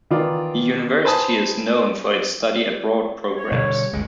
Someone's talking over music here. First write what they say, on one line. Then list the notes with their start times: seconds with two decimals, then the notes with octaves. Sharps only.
The University is known for its study abroad programs.
0.11 D#3 E3 B3 F4 D5
1.05 B4 C5 G#5 A5 B5 D#6
3.37 C#5
3.52 B2 D3 G3
3.93 G1 C#2 G#3